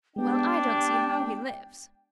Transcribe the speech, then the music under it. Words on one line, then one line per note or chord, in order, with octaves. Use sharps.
"Well, I don't see how he lives!"
G#3 B3 D4 G4 G5